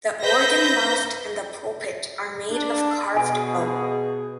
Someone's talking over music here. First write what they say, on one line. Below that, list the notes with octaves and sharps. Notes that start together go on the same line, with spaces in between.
The organ loft and the pulpit are made of carved oak.
B4 C5 E5 G6 A#6 B6
D4
B2 G#4 G#5